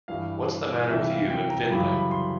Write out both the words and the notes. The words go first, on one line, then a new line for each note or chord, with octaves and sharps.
What's the matter with you and Finlay?
G2 E3 G3 F5
C3 E3 G3 E5
F5
G5
A#5
F#2 C#3 E3 G3 B5
B5
C6